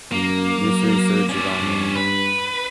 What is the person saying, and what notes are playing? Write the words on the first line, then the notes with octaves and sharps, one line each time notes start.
This research is ongoing.
F#2 A#3
F#3
C#4 D5
G2
B4